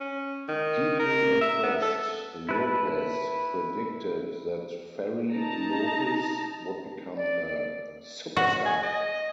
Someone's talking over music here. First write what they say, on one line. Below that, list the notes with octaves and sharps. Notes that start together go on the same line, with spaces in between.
Deeply impressed, Lopez predicted that Ferri Llopis would become a superstar.
C#4
D#3
A#4
E5
B3
A4
E4 B4 A5
D#4 A5 A#5
D5
F#4
G#5
D#5